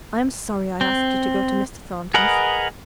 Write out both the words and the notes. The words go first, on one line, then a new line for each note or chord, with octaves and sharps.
'I am sorry I asked you to go to Mr. Thornton's.
C4
G#4 A#4 B4 D#5 F#5